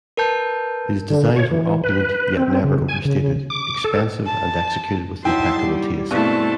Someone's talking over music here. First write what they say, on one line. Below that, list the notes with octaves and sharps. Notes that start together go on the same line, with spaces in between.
His designs were opulent yet never overstated; expensive and executed with impeccable taste.
A#4 B4 A5 G6
D3
C#5
E3
B4
C4
C#3
G#5
C#3
D6
A4
A5
F#3 D#4 E4 E5 G5 A5 C6
G3
G2 B2 G#3 A3 C4 E4 A5